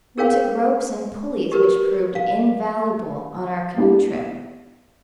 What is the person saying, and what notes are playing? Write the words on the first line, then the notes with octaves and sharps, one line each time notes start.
We took ropes and pulleys which proved invaluable on our canoe trip.
G#4 A#4 C#5 F5 G5
G4 A#4 B4
F5
A#3 B3 D4 E4 G4